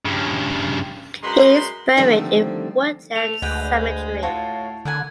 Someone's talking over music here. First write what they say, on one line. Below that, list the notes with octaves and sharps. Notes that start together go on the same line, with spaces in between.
He is buried in Woodlands Cemetery.
G2 C#3
F#2 G#3 B4 A#5 C6
D3 D#3 F3 G3 A3 C4
A3 F7
D2 G#3 B4 F#5 G5
A2 F4 F#4 C#5 A5
D3 A#4 F#5 G#5